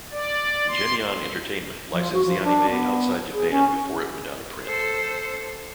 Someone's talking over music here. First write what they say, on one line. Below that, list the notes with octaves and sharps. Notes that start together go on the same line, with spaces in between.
Geneon Entertainment licensed the anime outside Japan before it went out of print.
D5
C6
F3
F#4
F3
D4
B3
G#4
C#4
A4 C5